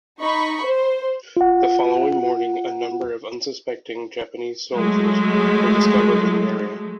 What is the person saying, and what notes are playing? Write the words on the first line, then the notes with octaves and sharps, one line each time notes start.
The following morning a number of unsuspecting Japanese soldiers were discovered in the area.
D#4 B5 C#6
C5
F4 F#5
F#3 G#3 A3